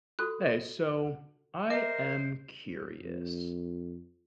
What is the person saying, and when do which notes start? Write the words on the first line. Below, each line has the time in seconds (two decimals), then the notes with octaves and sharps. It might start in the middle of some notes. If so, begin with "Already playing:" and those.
Hey, so, I am curious.
0.19 F4 F#4 A4 F#6
1.70 A#4 C5 D#5 E5 D6
3.02 F2